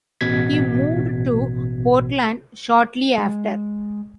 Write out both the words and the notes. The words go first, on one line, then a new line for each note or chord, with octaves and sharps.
He moved to Portland shortly after.
A1 B2 G#6 B6
G#3